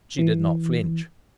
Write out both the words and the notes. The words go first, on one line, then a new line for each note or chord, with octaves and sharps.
She did not flinch.
E3